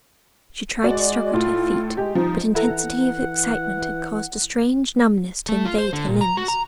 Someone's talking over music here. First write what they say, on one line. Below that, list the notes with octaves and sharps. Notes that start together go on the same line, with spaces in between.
She tried to struggle to her feet, but intensity of excitement had caused a strange numbness to invade her limbs.
G#3 F#4 D5
A2 F4
G#3 G4
F3 D#4
E3 E4 A4 F#5 A#5
A3
F4
C5
D3
A#2
A#5
F#4
A#5